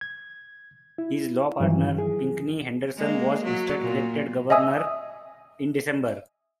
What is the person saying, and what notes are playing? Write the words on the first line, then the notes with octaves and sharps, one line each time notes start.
His law partner, Pinckney Henderson, was instead elected governor in December.
G#6
E4
G2 D#3 E3 F#3
G#4
G#3 A#3
F#3
A#2
D#5 E5 G#5 D#6 E6